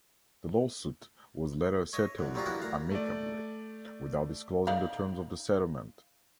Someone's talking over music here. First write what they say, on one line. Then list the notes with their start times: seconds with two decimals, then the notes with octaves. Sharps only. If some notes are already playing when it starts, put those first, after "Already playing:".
The lawsuit was later settled amicably, without disclosing the terms of the settlement.
1.93 C#5 D#5 E5
2.18 F#2 D3
2.34 F#3 G3 C4 C#4 D#4 F4
2.46 G3 A#3 B3 D4 E4 F#4
2.60 D2 F5 A#5
2.91 A3 D5
4.67 D#4 D5 F5